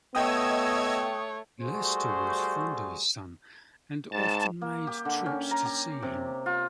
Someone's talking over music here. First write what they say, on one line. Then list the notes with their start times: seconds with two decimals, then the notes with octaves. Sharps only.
Leicester was fond of his son and often made trips to see him.
0.15 A3 B3 C#5 D#5 G5 D#6 E6 G#6
1.61 G3 A3 F#4 G#4 C5
4.12 G#2 A5
4.61 A#3
4.87 G4
5.05 D3
5.26 C#4
5.51 A#5
5.65 G4
6.02 C3
6.46 F4